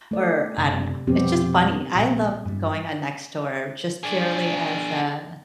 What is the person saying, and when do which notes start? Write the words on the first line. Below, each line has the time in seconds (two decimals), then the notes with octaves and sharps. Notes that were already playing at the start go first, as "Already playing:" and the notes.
or I don't know, it's just funny. I love going on Nextdoor just purely as a
0.11 A3 D5
0.58 F#1 C3
1.07 F2 B2 F3 B3 C4 G4
1.95 A#1 A#2
2.45 G2 G3
4.03 D4 G#4